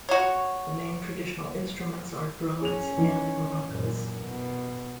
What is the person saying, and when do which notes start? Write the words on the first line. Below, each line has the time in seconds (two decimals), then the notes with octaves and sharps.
The main traditional instruments are drums and maracas.
0.09 F#4 C#5
2.62 C#4 G#4 F7
2.98 E3 D#4
3.67 F#2 A#2
4.21 B2